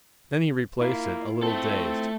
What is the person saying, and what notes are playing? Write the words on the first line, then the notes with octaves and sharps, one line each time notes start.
Then he replaced it, a little dazed.
A#3 E4 F4 E5
A3 C4 A4